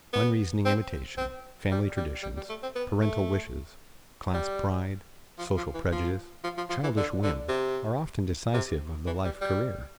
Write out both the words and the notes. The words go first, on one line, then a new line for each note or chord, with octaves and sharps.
Unreasoning imitation, family traditions, parental wishes, class pride, social prejudice, childish whim, are often decisive of the life career.
B3
C4
C4
G3
G3
G3
G3
A3
C4
B3
A3
G3
F3
F3
E3
F3
F3
F3
F3
E3
D3
D3
C3
C3
E3
G3
G3